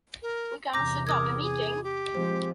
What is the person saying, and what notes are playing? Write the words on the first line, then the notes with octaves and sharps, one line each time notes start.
We can set up a meeting?
A#4
E2 C3 A#5 D6 G6 A#6
A#4 D6 D#6 G#6
G#4
G4
F3 G#3 C4 C5